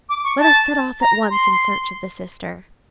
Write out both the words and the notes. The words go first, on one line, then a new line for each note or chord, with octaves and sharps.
Let us set off at once in search of the sister.
D6
C#6
A5
A#5
C6